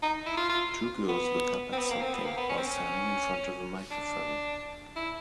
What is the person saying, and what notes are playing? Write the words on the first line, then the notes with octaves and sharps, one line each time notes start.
Two girls look up at something while standing in front of a microphone.
D#4
E4
F4
F4
B3
C4
B3
A#3
C4
B3
A#3
B3
C#4
C4
C#4
D4
E4